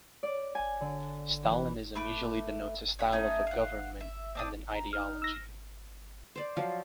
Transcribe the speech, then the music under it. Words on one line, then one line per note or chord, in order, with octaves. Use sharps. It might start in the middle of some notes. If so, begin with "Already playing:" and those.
Stalinism usually denotes a style of a government, and an ideology.
D5
G#5
D3
E3
A3 B4 D6
C#5 F#5 B5
A3 C#4 D#4
F5 F#5
E5
C4 D4 D#6
A#5
D#4 F6
E6 A#6
C5 D5
F3 F#3 F5